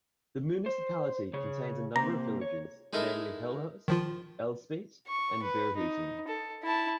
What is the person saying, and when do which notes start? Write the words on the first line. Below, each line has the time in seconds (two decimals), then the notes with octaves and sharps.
The municipality contains a number of villages, namely Hulshorst, Elspeet, and Vierhouten.
0.66 C5
1.33 C#3 G#4 C#5
1.96 C3 A#3 C4 A#5
2.41 C#5
2.93 G#3 D#4 E4 A4 A#4 D#5
3.88 D#3 F3 F4
5.08 C#6
5.43 B4
5.77 D#4
6.28 A4
6.63 E4 A5